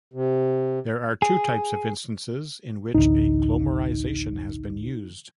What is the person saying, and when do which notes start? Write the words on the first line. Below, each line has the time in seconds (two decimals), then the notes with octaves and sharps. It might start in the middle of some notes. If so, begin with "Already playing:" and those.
There are two types of instances in which a Glomarization has been used.
0.14 C3
1.22 G#4
2.95 A1 D2 D#4